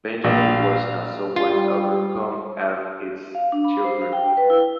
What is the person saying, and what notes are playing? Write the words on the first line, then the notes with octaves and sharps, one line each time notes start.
Benjamin was not so much overcome as his children.
A#1 F5
G3 F4
F5
D4
B5
C5
F5
G5
B4
E4